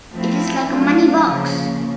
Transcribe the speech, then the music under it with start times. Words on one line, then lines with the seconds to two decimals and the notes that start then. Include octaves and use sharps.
It is like a moneybox!
0.12 F3 A3 C4 E4
0.69 F#3 A3 D4 F4
1.26 C#3 F3 A#3